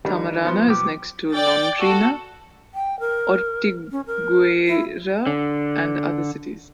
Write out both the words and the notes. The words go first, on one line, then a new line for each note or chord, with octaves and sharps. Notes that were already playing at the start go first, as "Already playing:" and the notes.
Tamarana is next to Londrina, Ortigueira and other cities.
D#3 G3 D4
F3 B3 C6
B1 G4
D5 G5 A6
F#4 A4
G5
A#4
C#4
A#4
E4
D3